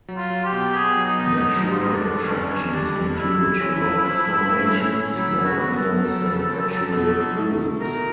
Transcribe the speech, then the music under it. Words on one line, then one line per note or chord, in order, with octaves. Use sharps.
Natural attractions include rock formations, waterfalls and natural pools.
F#3
F4
F#3
G4
B2
B3 G#4
F#3
D#4
B2
D#4
F#3
G3 D#4
F4
E4
F2 D#4
D4
D3
C#4
F2
F2 C#4
G3 D4
F2
G3 E4
C3
C#4
F3
F3
F3
A3
C#4
C#4
F#3 E4
C#3
F#4
B3
A4
B3
F#3
C#3
C#2
F#3
B2
F#3
A3
A3
B2 A#4